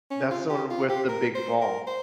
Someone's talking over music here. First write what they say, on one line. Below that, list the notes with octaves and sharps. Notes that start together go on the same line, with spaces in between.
that's the one with the big ball
C#4
F4
G4
F4
G4
A#4
C5
A#4
C5